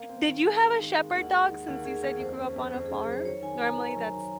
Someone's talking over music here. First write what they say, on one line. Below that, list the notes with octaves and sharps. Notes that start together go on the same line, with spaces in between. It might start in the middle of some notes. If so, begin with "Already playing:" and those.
Did you have a shepherd dog since you said you grew up on a farm? Normally that's
Already playing: A#3 F5
C4
D#3
G#3
G#3
D#3
G#3
D#2 F#5
G#3
D#3
D#2 F#5
D#2 G#4
D#2 G#4
F2 C5
C#4
F2
F2 C5
G#4
C#3
G#4
F#3 C5
D#3 C#5
D#3 G#5
D#3 A#5
D#3
F#3
D#3